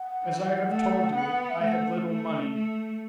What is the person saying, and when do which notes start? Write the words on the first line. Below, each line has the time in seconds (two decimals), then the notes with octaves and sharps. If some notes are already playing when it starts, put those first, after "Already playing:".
As I have told you, I had little money.
Already playing: F#5
0.24 E3
0.69 A3
1.16 B3
1.50 E5
1.62 A3 F#5
2.08 A3
2.54 A3